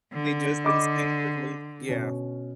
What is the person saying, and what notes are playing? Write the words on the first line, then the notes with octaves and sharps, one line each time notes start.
They just instinctively yeah,
D3
D#5 B5 D6
B2 C#4